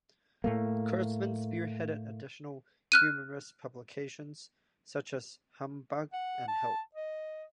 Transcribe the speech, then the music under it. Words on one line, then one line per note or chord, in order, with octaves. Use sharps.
Kurtzman spearheaded additional humorous publications such as "Humbug" and "Help!".
A2 A3 A#3
F6 F#6 D#7
F#5
A5
D#5